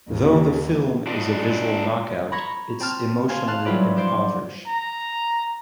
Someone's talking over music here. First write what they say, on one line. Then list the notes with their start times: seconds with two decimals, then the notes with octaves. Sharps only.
Though the film is a visual knockout, it's emotionally impoverished.
0.10 D#2
1.07 D4 F4 D5 D#5
2.32 A#5 B5 C#6 G#6 A#6
2.80 C4 A5 F6
3.29 C5 F5 G#5 A5
3.48 F5 A5 F#6
3.65 F#3 G3 E4 F4 B4 D5
3.96 F3 D4 C5 D5
4.67 A#5